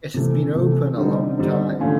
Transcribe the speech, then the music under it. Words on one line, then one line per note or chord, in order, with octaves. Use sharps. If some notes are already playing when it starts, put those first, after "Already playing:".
It has been open a long time!
C3 E3 A3
C3 E3 A3
D3 G3 C4 D#4
D3 G3 C4 D#4
D3 F3 A3 C#4 F4